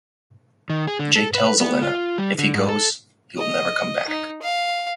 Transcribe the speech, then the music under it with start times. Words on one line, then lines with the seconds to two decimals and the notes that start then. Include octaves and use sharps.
Jake tells Elena if he goes he will never come back.
0.70 D#3
0.87 G#4
0.99 D3
1.16 A4
1.35 B4
1.60 B3
1.82 F4
2.18 G3
2.38 D3
2.54 G#2
2.69 A4
3.37 D#5
4.07 D#4
4.42 F5